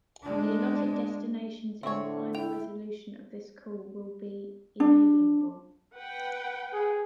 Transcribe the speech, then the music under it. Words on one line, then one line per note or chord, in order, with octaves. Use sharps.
The allotted destinations in the final resolution of this call will be inalienable.
G#3 D4
A2 D3 C4 C#5 E5 C#6
E4 G5 F7
D4
B4 F#5 G5
G#4